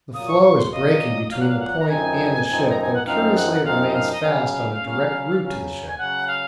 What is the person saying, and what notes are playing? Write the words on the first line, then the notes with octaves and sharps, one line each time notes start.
The floe is breaking between the point and the ship, though curiously it remains fast on a direct route to the ship.
A#2 F#3 A#3 D#6
C#6
C#6
C6
A#2 F#3 A#3 D#5
A#2 F#3 A#3 F5
F#5
F5
F#5
A#5
F#2 F3 C4 D#4 G#5
F#2 F3 C4 D#4
A#5
G#5
F#5
F#2 F3 C4 D#4 F5
F#5
F#5
F#2 F3 C4 D#4 F5
D#5
F5
D#5
C#3 F#3 C#4 F5
C#3 F#3 C#4
C#3 F#3 C#4
G#5
C#3 F#3 C#4 F#5
F5